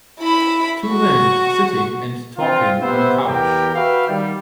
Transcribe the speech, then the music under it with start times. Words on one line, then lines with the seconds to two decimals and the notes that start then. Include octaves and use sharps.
Two men sitting and talking on a couch.
0.20 E4 B5
0.89 F#4 C#6
2.38 C4 D4 F4
2.81 B3 G4 C5 E5
3.27 E2 E3 G4 A#4 G5
3.75 F#4 B4 E5 F5 G5
4.08 D#3 G3